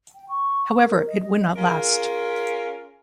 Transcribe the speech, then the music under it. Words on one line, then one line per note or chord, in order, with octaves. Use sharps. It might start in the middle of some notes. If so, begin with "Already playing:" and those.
However, it would not last.
G5
C#6
A#4
D#5
D#5
C#4 F4 G#4 A#4